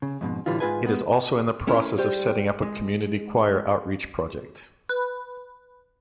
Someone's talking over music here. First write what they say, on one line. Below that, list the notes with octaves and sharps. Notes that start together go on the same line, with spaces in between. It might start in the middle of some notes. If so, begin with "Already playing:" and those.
It is also in the process of setting up a community choir outreach project.
C#3
F2 G#2 B2
A2 D3 E3 G3 F4
G#2 G3 F4 G#4 B4 G#5
G#3 B3
A3 C#4 E4 A#4
G3 G4 C5
G#3
B4